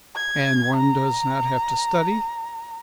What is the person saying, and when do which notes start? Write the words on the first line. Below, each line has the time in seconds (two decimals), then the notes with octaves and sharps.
"And one does not have to study?"
0.16 G#6
0.76 A#5